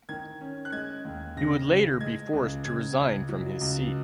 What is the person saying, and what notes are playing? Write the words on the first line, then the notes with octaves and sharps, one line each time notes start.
He would later be forced to resign from his seat.
D#3 G#6
C#4
F#6
G#3 G#6
D#2
C#3 A#6
C#2
G#3 G#6
C#2
C#3 G#6
C#2
F#3
C#2